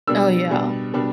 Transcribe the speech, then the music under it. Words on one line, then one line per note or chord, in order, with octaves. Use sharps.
Oh, yeah.
B2 G3 D4 E6
B2 G3 D4
B2 G3 D4